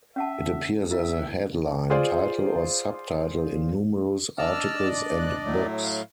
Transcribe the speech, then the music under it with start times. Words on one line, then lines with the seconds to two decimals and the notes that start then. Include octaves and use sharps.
It appears as a headline, title or sub-title in numerous articles and books.
0.16 C#4 E5 F#5 A5
0.91 E4 E5
1.90 F4 G#4 C5 D5 F5
4.38 D4 D5 D#5 A5 E6 F6
5.19 D2 F#6
5.45 A2 F#3 A3
5.83 F5